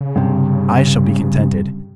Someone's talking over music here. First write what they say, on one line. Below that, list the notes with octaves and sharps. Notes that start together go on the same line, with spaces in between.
I shall be contented.
C#3
G2 C3